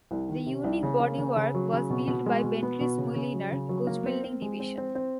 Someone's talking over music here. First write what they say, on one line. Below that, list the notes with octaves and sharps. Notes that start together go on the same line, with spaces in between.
The unique bodywork was built by Bentley's Mulliner coachbuilding division.
C2
D#3
C3
C2
C#3
A#3
C#3
C#3
F#3
C#3
B2
B2
G#3
B2
B3
B2
C#3
C#3
F#3
C#3
F#3
A#3
C4
C4
G#3
C4
C4
C4